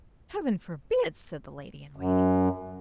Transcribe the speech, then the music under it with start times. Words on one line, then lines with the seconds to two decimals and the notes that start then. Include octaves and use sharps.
'Heaven forbid!' said the lady-in-waiting.
1.96 F#2